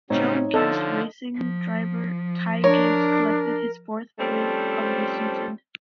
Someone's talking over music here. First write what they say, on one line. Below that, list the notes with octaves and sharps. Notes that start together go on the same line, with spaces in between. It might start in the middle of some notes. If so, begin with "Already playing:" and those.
Joe Gibbs Racing driver Ty Gibbs collected his fourth win of the season.
A2 C#3 F#3 G3 C4 D#4 C#5
D3 F3 A4 D#5
F3
D4 A#4 C#5
F3 G3 A3 C4 C#4 A4